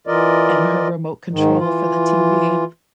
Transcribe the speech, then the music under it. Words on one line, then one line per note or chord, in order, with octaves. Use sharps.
and her remote control for the TV.
E3 F4 A#4 D5 D#5
G#2 D#3
E3 F4